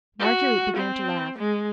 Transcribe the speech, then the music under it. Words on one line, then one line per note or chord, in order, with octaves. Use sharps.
Marguerite began to laugh.
F#4
C4
G#3